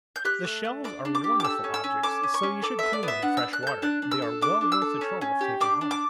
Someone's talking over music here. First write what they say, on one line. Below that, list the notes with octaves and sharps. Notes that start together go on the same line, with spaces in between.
The shells are wonderful objects, so you should clean them in fresh water; they are well worth the trouble of taking home.
G6
G4 F#6
A3
A3
D4 D6
D4
D6
G4
D6
A4 E6
C#4
E6
C#4
A4 D6
C#4
C#6
C#4
A4 D6
B3 E5
D5
B3
E5
D4 F#5
E6
D4
F#6
A4 G6
D4 F#6
D4
E6
A4
D4 D6
D4
E6
A4
C#4
C#4
G4
D4 D6
D4
D6